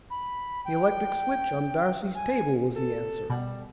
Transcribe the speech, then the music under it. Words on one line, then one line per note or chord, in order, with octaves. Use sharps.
"The electric switch on Darcy's table," was the answer.
B5
G5
G#5
A4
B2 G3